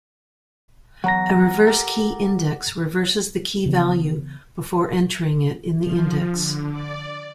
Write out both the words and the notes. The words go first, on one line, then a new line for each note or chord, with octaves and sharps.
A reverse key index reverses the key value before entering it in the index.
E2 F#3 F#5 A#5 A#6
G4 A4 A#4
C#3 E3 B3
F3
D3
D5